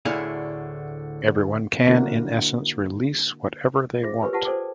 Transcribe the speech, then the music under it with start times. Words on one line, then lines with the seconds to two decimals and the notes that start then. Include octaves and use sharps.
Everyone can, in essence, release whatever they want.
0.05 D2 A2 D3 E4 G#4 F5
1.87 D3 A#3 D4 E4 F#4 A#4
4.03 F4 G#4 C5 E5
4.20 G4 A#4 B4 C#5 G#5
4.33 F4 G4 B4 F#5 A5
4.45 A4 C5 D5 G5 D6